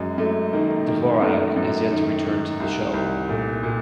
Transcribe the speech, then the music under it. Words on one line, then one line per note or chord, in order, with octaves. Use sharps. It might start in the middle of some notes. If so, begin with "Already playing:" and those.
Dvorak has yet to return to the show.
Already playing: F#2 G#3
F#2 A3
D#3 A#3
D#3
F#2 A3
F#2
D#3
D#3
C2
C2
A#2 A3
A#2